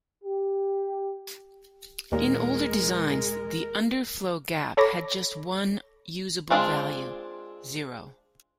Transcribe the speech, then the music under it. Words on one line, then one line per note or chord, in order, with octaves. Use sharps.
In older designs, the underflow gap had just one usable value, zero.
G4
D#2 A#2 G#3 A#4
A4 C#5 B5 D6 A#6
G#3 C4 D4 F4 G#4